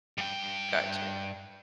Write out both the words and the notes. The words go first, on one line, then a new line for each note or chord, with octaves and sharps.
Got you.
G2 G5